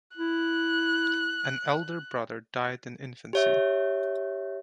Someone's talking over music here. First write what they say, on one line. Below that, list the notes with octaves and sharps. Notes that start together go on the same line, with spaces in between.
An elder brother died in infancy.
E4 F#6
G4 C#5 E5